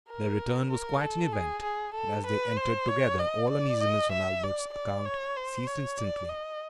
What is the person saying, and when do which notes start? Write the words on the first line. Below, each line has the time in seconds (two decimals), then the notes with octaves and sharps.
Their return was quite an event, but as they entered together, all uneasiness on Albert's account ceased instantly.
0.09 A#4
0.71 A#4
1.02 A4
1.33 G#4
1.63 G#4
1.95 A4
2.26 B4
2.57 C5
2.88 C#5
3.19 D#5
3.50 D5
3.81 D#5
4.12 E5
4.43 D5
4.74 D5
5.05 C#5
5.36 C5
5.67 C#5
5.98 D5
6.29 D#5